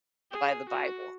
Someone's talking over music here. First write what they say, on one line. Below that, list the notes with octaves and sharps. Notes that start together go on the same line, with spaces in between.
by the Bible.
G#4
F#4